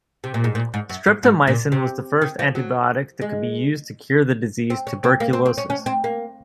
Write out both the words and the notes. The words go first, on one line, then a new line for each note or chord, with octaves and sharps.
Streptomycin was the first antibiotic that could be used to cure the disease tuberculosis.
C3
A#2
G#2
A#2
G#2
F#2
G#2
G#2
A#2
C3
D#3
F3
F#3
G#3
C4
C#4
C4
A#3
C4
C4
C#4
C#4
C4
A#3